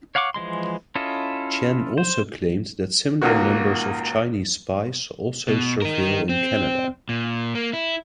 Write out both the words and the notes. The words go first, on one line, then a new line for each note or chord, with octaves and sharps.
Chen also claimed that similar numbers of Chinese spies also surveil in Canada.
C#5 F5 F#5 C#6 D6
E3 F3 G#3 C6
C#4 E4 F4 A4 D#5
C5
C#2 A#2 D#3 A#3 F#4
B2
D#4 A#4
C4
A#2
A#3
E4